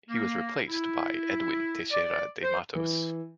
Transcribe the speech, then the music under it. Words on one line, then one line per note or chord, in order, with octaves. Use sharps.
He was replaced by Edwin Teixeira de Mattos.
A#3
E4
D5
C5
E3